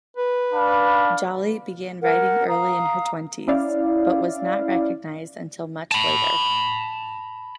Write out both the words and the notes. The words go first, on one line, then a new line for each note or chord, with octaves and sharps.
Jolley began writing early in her twenties, but was not recognised until much later.
B4
D4 F5 B5
A#4 F#5
F5 A#5 D#6
C#4 E4 D5 F5
A5 B5